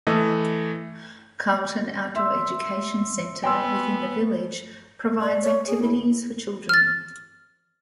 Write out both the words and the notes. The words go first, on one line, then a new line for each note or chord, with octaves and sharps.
Carlton Outdoor Education Centre within the village provides activities for children.
E3 A3 D#5
E5 C6 E6
B3 G5 G#5 C6 E6
D5
C#5
G#4
E4
F6 A6